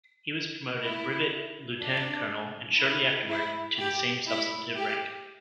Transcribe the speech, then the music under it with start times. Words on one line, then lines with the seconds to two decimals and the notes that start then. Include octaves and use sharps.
He was promoted brevet lieutenant-colonel and shortly afterwards to the same substantive rank.
0.83 E4
1.82 D4
2.79 E4
3.29 E4
3.78 G4
4.27 E4
4.76 G4